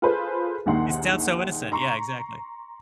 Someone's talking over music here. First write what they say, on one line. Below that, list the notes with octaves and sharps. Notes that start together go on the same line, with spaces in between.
It sounds so innocent. Yeah, exactly.
F4 G#4 A4 B4 C5
A#1 D#2 D#3 F#5 C6
A#5 C6 C#6